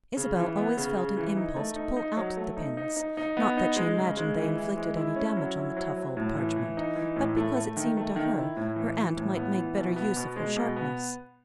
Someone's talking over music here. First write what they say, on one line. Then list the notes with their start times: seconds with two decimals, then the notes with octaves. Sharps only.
Isabel always felt an impulse to pull out the pins; not that she imagined they inflicted any damage on the tough old parchment, but because it seemed to her her aunt might make better use of her sharpness.
0.17 C#3
0.36 E3
0.57 B3
0.77 C#3
0.97 C#3
1.17 E3
1.37 D#4
1.56 A3
1.76 D#4
1.96 D#4
2.17 F#3
2.37 A3
2.57 D#4
2.77 D#4
2.97 D#4
3.17 D#4
3.37 B3
3.57 D#4
3.76 G#3
3.97 C#3
4.17 G#3
4.37 E3
4.57 E3
4.77 G#3
4.97 E4
5.16 C#4
5.37 F#3
5.57 E4
5.77 F#3
5.96 F#3
6.17 A2
6.36 E3
6.56 E3
6.77 D#4
6.96 E3
7.16 A2
7.36 A3
7.56 A3
7.77 D#3
7.97 A3
8.16 D#3
8.36 E4
8.57 A2
8.76 E3
8.97 E3
9.17 A2
9.37 B3
9.57 E3
9.76 B2
9.96 B3
10.16 B2
10.36 G#3
10.56 B2
10.76 B3